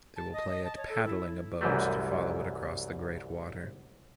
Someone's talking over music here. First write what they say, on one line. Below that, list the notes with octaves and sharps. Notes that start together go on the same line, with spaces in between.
They will play at paddling a boat to follow it across the great water.
A5
D#5
D#5
A5
C#5
A4
E4
C2 F#2 E3 F#3 G3 A3